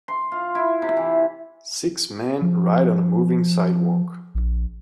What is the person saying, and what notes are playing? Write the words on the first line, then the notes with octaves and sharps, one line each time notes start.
Six men ride on a moving sidewalk.
C6
F4
E4
C3
E3
F3
A#1